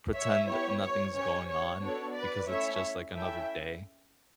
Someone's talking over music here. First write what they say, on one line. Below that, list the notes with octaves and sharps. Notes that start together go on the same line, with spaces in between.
pretend nothing's going on because it's just, like, another day,
C#5 E5
B3 E4 G4 C#5
C#5
C#4 G4 C#5
C#5
B3 D4 F#4 A4 C#5
B4 D5
A3 C#4 E4 C#5 E5
C#4 E4 A4 E5 G5